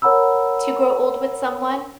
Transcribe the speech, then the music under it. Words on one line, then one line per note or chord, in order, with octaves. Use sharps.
to grow old with someone,
A#4 C#5 F#5 A#5 B5 E6